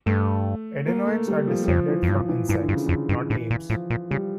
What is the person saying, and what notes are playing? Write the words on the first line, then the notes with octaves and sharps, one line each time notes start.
Edenoites are descended from insects, not apes.
G2 A3
A#3
A3
G3
F3
G3
F2 F3
E3
F2
G2 F3
E3
G2 E3
D3
G2
C#3
F2 D3
G2
A2 E3
A#2
A2 F3
A#2
C#3 G3